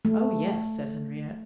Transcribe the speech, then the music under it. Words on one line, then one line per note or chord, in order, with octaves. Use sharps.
"Oh yes," said Henriette.
A3